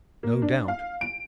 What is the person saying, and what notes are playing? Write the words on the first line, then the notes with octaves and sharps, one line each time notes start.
"No doubt."
A#3
D4
F5
D7